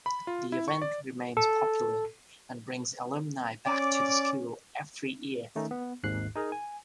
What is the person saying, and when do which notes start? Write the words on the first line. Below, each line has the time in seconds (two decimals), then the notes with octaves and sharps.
The event remains popular and brings alumni back to the school every year.
0.06 B5
0.27 F4
0.52 E4
0.68 C#6
0.82 D5
1.37 A4
3.66 C#4 D5 D6
5.56 D#3 A3 C#4 D#4
5.71 B3
6.03 G#1 D#2 G#2 F#6 C7
6.36 D#4 G#4 A#4
6.52 G#5